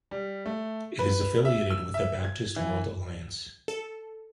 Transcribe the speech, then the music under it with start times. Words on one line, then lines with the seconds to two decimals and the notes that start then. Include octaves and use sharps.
It is affiliated with the Baptist World Alliance.
0.11 G3
0.46 A3
0.99 B4
1.45 E5
1.70 E6
1.94 E5
2.25 G#6
2.56 E3
3.68 A4